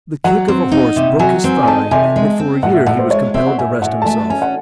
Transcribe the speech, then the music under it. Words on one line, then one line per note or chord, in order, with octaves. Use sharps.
The kick of a horse broke his thigh, and for a year he was compelled to rest himself.
F#3 F#5
C4
D#4
C3
F#3 G#5
C4
G#5
D#4 A5
C3 G#5
G#3
C4
A2 F#5
E5
A2 F#5
C5
G#3 C#5
C4 E5
F#5
A2 G#5
A2 F#5
A5
A3 G#5
A5
C#4 G#5
F#5